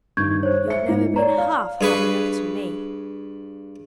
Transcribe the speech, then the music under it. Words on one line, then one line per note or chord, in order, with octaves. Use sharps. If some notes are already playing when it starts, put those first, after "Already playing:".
You have never been half hard enough to me.
G2 D#3 C#6 G6 G#6
C5 C#5
E5 C#7
G#2
C#5 D5 A#5
F5
G2 G#4 B4 C#6